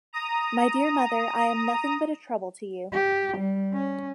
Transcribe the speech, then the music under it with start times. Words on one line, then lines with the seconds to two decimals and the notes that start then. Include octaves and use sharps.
My dear mother, I am nothing but a trouble to you.
0.13 A#5 D#6
2.92 G4
3.38 G3
3.73 C#4